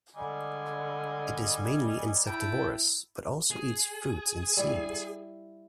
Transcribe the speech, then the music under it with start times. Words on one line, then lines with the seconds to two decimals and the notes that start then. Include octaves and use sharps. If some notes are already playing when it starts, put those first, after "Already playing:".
It is mainly insectivorous, but also eats fruits and seeds.
0.16 D3 G3 D#5 G#5
2.27 E4 G5 A5 B5
3.51 G#4
4.57 G3 E4